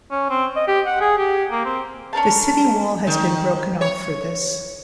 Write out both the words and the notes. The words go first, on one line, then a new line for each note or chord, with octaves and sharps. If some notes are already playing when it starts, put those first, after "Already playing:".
The city wall has been broken off for this.
C#4
C4
D#5
G4
F#5
G#4
G4
A#3
C4
C#4 D4 A#4 A5
D#3
C#5